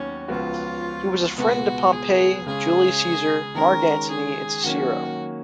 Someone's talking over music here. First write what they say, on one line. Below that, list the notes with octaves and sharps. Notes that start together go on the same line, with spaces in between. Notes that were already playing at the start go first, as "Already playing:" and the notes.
He was a friend to Pompey, Julius Caesar, Mark Antony and Cicero.
Already playing: D#2 D#3 F#3 B3 C#4 F#4
C#2 C#3 F3 B3 F4 F#4
C#2 B2 G#3 B3 F#4
G#4
C#3 G#3 C#4 G#4
D#3 G#3 C#4 A#4
G#4
D#3 F#3 A#3 C#4 F#4